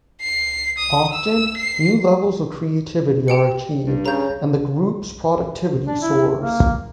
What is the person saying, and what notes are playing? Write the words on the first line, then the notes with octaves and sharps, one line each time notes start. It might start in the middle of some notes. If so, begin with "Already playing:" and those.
Often, new levels of creativity are achieved, and the group's productivity soars.
C7
D#6
E6
C7
G4 G5 C#7
G2
C#3 A#5 G6
D4
E4
A#3